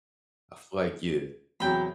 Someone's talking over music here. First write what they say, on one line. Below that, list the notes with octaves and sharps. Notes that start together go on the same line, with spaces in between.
I feel like yeah.
E2 C3 F#3 G5 B5